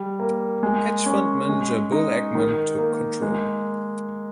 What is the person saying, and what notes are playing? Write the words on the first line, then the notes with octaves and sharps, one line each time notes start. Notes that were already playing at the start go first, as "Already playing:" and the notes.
Hedge fund manager Bill Ackman took control.
Already playing: G3
A#3
G#3
C#4
G#3
D#4
D#3
A#3
G#3